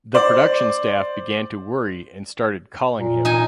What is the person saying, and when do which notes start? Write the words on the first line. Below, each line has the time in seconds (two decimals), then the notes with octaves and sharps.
The production staff began to worry and started calling him.
0.14 C5 D5
2.98 A#2
3.25 D#4 G#5